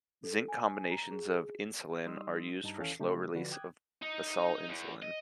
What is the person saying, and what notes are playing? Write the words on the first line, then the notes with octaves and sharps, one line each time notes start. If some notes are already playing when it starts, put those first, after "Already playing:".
Zinc combinations of insulin are used for slow release of basal insulin.
A4
G#5
A#5
G#4
G3 D#4 C6 D#6 E6
G2 D#4 A5 A#5
D#2 E3 C#4 A4 F5 G#5
C#3 F#3 A3 D4 G4
D3 F3 D4 F#4 B4
G5 D6 D#6 F#6 G#6
D#4
E2
D#5